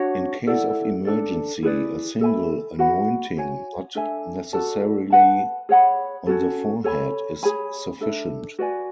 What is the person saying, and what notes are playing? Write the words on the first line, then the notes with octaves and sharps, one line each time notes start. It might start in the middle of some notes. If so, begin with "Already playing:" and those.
In case of emergency, a single anointing, not necessarily on the forehead, is sufficient.
Already playing: D4 F#4 C#5 F#5
E4 A4 D5 F#5
D4 A4 D5
E4 G#4 B4 D5
A4 E5 G#5 B5
F#4 B4 F#5 B5
F#4 C#5 G#5
D4 A4 E5 G#5
F#4 A4 D5 A5
B4 F#5 A5
G#4 C#5 F#5 B5
C#4 F#4 A4
A4 C#5 G#5 B5
G#4 C#5 G#5 B5
D4 A4 E5
F#4 B4 D5 G#5